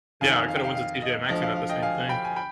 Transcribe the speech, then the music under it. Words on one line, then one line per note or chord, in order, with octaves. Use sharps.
Yeah. I coulda went to TJ Maxx and got the same thing.
F2 D#3 F5 G#5
F5
G5
F5
F5
D#5
D2 D3 F3 D#5
F5
F5
D#5 G5
F5 G#5
G5 B5
G#5
G5 B5